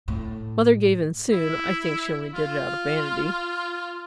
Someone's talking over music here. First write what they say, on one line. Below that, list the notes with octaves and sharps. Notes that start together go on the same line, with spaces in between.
Mother gave in soon--I think she only did it out of vanity.
A2
E4
F4